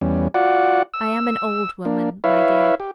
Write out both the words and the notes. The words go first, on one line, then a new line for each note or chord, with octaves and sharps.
I am an old woman, my dear.
E2 G3 C#4
F4 F#4 D5 F#5
E6
A#3 D4
E4 B4 C#5 E5 F5
G4